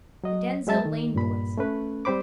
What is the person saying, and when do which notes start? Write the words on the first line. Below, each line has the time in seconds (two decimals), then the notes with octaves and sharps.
The Denzille lane boys.
0.24 F#3 D#5
0.67 F#3 G#3 E5 A5 A6
0.85 D#3
1.15 G2 A#2 B5
1.58 A3 C#4 B4
2.05 G3 C4 C5 B5 D6